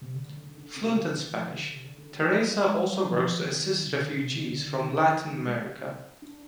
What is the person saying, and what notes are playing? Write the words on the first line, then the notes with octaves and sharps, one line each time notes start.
Fluent in Spanish, Teresa also works to assist refugees from Latin America.
C3
D3
D3
D3
D3
C3
C3
D3
D#3
F3
D3
C3
D3
D3
D3
G3
F3
G3
G#3
G3
F3
D#3
F3
D#3
C3
D3
C3
D3
D3
D3
D#3
D3
D#3
D#3
G#3
D4